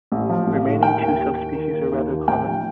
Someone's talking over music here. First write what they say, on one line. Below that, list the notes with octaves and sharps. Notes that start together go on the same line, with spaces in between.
The remaining two subspecies are rather common.
A1
F3
A1
A2
D#3 G5
D#2
D#2
D#3
D#3
D#2
D#2
D#3
A1 G5
F3